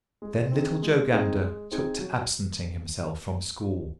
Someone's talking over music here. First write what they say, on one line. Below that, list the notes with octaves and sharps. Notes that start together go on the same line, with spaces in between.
Then little Joe Gander took to absenting himself from school.
G#3
C4 D#4 G#4
G#3
C4 D#4 G#4
G#3
C4 D#4 G#4
F#3